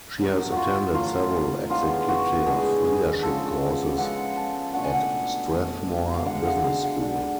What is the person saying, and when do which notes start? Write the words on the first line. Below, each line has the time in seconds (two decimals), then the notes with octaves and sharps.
She has attended several executive leadership courses at Strathmore Business School.
0.18 A2 F#3 A3
0.52 F4 F#4
0.93 A2 F#3 A3 F4
1.70 A2 G#3 B3 D4 F4
2.09 F#4
2.46 A2 G#3 B3 D4 G#4
2.85 G#4
3.23 C#3 F3 G#3 A4
3.98 C#3 F3 G#3 F#5
4.36 A5
4.73 B2 A3 D4 F#5
4.84 G#5
4.93 F#5
5.50 B2 A3 D4 G#5
6.14 F5
6.25 D3 G#3 D4 F#5
6.46 F5
6.64 F5
6.83 F#5
7.01 D3 G#3 D4